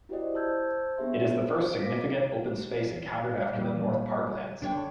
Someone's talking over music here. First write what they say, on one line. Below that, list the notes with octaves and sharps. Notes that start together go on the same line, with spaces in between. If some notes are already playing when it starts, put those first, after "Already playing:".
It is the first significant open space encountered after the North Parklands.
E4 F#4 G4 C5 D5 D#5
C5 A5 E6 G6 G#6
B3 D4 G4 G#4 E5 C6
C5
F5 D6 A#6 B6 D7
A#2 G3
D3 D4 C#5 G5